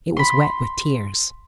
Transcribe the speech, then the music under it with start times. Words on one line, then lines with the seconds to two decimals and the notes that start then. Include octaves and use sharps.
It was wet with tears.
0.17 B5 C6